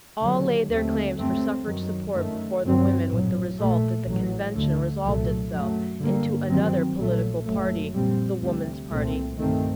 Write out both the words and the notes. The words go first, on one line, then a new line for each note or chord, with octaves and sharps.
All laid their claims for suffrage support before the women with the result that the convention resolved itself into another political party-The Woman's Party.
D#2 D3 F#3
D#2 D3 A3 C4
G2 F#3 A3 C4
F#2 D#3 F#3
F#2 D#3 A3
G1 G2 D#3 F#3 C4
A#1 A2 F#3
A#1 A#2 A3
A1 A2 F#3
D2 D3 A3
C2 A#2 F#3 A3
F#2 F#3 A3
G2 D3 G3 A#3
G2 D#3 F#3 C4
A#1 A#2 F#3 A3
F#1 F#2 F#3 A3
A#1 A#2 G3 C4
D2 C3 G3
C2 A#2 A3 C4
G2 D#3 A3 C4